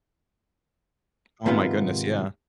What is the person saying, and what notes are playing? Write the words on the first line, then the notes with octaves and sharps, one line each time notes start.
Oh, my goodness, yeah.
G#2 C3 D#3 B3 F4